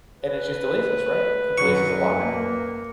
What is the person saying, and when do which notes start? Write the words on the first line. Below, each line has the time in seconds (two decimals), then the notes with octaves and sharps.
and it just delays us, right? It delays us a lot,
0.18 B4
1.58 F#2 F#3 C#6
2.21 A#3